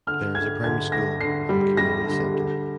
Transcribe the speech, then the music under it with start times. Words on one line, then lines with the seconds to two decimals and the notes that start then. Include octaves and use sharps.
There is a primary school, and Community Centre.
0.07 D3 F6
0.35 D3 G#6
0.64 D3 G#6
0.92 D3 A#6
1.21 D3 C7
1.49 G3
1.77 G3 A#6
2.06 D3
2.34 D3